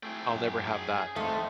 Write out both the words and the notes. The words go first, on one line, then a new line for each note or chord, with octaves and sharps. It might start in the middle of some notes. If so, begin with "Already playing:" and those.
I'll never have that.
A3 E4 G#4 G5
F#2
F2 A3 A#3 D#4 C5